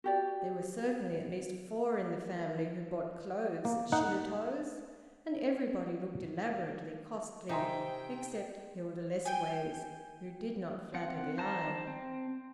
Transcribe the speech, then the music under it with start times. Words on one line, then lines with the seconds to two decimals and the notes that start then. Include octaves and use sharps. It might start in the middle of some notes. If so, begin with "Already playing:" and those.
There were certainly at least four in the family who bought clothes at Shillitoe's, and everybody looked elaborately costly, except Hilda Lessways, who did not flatter the eye.
0.04 F#4 G4 D5
3.65 A#3
3.92 D#4 F#5
7.49 C3 D#4 E5 G5 G#5 C6
9.25 G5 G#5
10.94 C4 F#5
11.38 C5 A5 A#5
11.87 C4